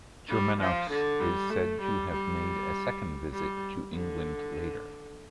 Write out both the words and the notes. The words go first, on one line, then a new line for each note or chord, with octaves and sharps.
Germanus is said to have made a second visit to England later.
G3
F3
D3
G3
A3
G3
G3
G3
D3